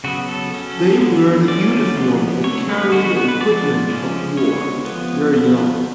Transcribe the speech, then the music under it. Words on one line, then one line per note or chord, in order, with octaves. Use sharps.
They wear the uniform and carry the equipment of war; they are young.
C#3 F#3 B3 F#4
A4
F#3 C#4
D3 F3 B3
D3 F#3 A3 C#4 D5
C#3 F3 G#3 B3
D3 F#3 A3 C#5
B4
D3 G#3 B3 F#4
F#4
F#4
B4
F3 B3 D5
C#3 F3 G#3 C#4
D3 G#3 B3 C#5
F3 B3
F3 B3